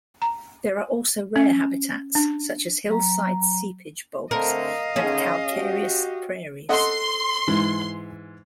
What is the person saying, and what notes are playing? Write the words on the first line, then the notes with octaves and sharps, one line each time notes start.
There are also rare habitats, such as hillside seepage bogs and calcareous prairies.
A#5
C#4
D4
F#3 A#5
D3 A3 C4 A#4 D#5 F5
D3 D#3 C#4 G#4
F#4 G4
A4 D#5 F#5 C6
G#2 E3